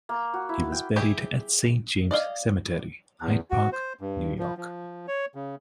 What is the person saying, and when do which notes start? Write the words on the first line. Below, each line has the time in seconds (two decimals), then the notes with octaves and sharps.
He was buried at Saint James Cemetery, Hyde Park, New York.
0.09 A#3
0.34 F#4
0.49 E4
0.72 G5
0.96 E4 G4 G#4
2.11 D5 D#5 F5
3.22 E2
3.51 F#4
3.72 C5
4.01 G2
4.39 F3
4.57 F3
5.08 C#5
5.35 C#3